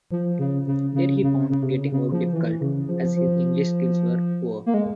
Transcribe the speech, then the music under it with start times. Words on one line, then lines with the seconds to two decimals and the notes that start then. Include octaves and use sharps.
There he found getting work difficult as his English skills were poor.
0.11 F3
0.39 C#3
0.67 C#3
0.94 C#3
1.23 C#3
1.50 C#3
1.62 C3
1.70 C#3
1.92 C#3
2.12 F3
2.33 E3
2.61 C#3
2.89 F3
3.16 F3
4.66 A#3
4.74 G#3